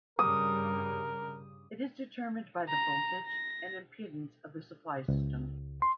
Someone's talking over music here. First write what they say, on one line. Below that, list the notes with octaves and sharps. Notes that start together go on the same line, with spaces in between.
It is determined by the voltage and impedance of the supply system.
G2 C#3 G3 A#4 D#6
A#5
A#6
C#2
C6